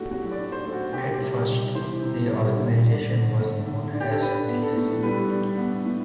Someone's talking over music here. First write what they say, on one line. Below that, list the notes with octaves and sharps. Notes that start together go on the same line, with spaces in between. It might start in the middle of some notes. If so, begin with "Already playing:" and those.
At first, the organisation was known as the "DsU".
Already playing: A2 D4 F#4 G4 A4
F#3 F#4
D5
D4
C5
A3
F#4
C3 G4
G4
G3
C3
E3 C5
C3
G3
D3
D4
D3
A3
D3
D4
G4
A4
D4 B4
B3
A4
A2
G3 B4
D4
B3
A2